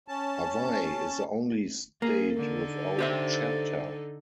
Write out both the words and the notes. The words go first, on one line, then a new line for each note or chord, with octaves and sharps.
Hawaii is the only state without a chapter.
C#4 A5
A#3 G#4
D3 D#4 A4
G4 C5 E5